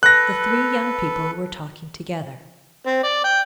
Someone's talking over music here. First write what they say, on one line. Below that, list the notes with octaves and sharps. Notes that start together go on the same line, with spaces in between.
The three young people were talking together.
A4 B4 F#6 A#6
C4
D5
G5